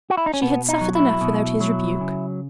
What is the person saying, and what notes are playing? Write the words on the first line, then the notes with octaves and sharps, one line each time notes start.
She had suffered enough without his rebuke.
F#4
E4
D#4
C#4
B2 B3
D#4
F#3
E4
B2
F#3
C#3